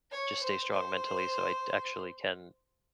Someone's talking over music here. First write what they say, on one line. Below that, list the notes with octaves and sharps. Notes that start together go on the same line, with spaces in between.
just stay strong mentally, so I d actually can
C#5
C5
C5